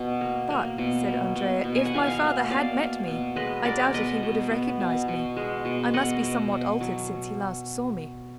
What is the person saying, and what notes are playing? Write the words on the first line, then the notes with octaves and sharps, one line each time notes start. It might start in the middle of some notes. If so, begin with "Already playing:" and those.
"But," said Andrea, "if my father had met me, I doubt if he would have recognized me; I must be somewhat altered since he last saw me."
Already playing: B2
A#3
A#3
B2
A#3
B2
B2
G#5
F#5
B2 F5 G#5
F5 G#5
A#3
B2 D5 F5
A#3
B2
G#3 B4 D#5
G#3 A#4 D5
B2 B4 D#5
B2
B3
B2
B2
G#3
B2
B2 D#5 F#5
B2
B2
F#3